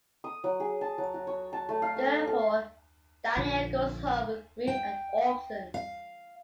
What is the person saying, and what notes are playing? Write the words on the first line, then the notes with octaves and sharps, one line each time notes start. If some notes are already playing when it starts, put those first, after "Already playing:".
Therefore, Danielle goes home with Bree and Orson.
D#6
F#3
G#4
A5
F#3
F#4
C#5
A5
A3
F5
A5
A4
A#1 D3 F3
G5
F5